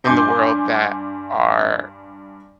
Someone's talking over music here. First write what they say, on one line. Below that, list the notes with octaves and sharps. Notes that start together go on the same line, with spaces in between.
in the world that are
G2 G#5 C6 D6 G6